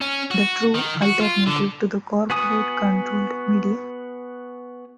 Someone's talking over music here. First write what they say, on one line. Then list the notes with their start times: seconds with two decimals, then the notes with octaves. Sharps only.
The True alternative to the corporate controlled media.
0.01 C#4
0.31 F#4
0.75 D#3
1.03 F#4
1.21 F4
1.47 D3
2.30 B3 F#4 G#5 D#6